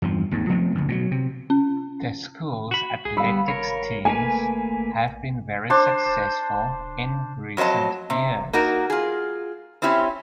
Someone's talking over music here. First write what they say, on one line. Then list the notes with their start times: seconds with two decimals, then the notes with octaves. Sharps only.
The school's athletic teams have been very successful in recent years.
0.02 E2 G2 F3
0.31 G#1 D#2 G#2
0.49 F3 A3 B3 C4
0.75 F#1 D2
0.88 B2 E3 F#3
1.11 C3
1.50 C#4
2.71 F#4 B5
3.05 C#2 G#4
3.17 G1 G3 B3 F5 B5 E6
3.48 G#1 A#4 C#5
4.05 A3 A#3 B4 G#5
5.70 D4 C5 C6
7.57 F2 F#3 C5 D#5 A5
8.10 C3
8.53 A#3 D#4 F#4 A#4
8.90 F4 G#4
9.82 C4 C#4 E4 G4